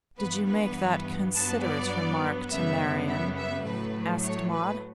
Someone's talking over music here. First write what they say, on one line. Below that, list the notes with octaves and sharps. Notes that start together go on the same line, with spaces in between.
'Did you make that considerate remark to Marian?' asked Maud.
G2 E3 B3 B4
B4
G2 F#3 B3 A5
D5
F#2 C#3 G3 B3 E5
E5
E5
A2 F#3 A3 B4
C#5
B4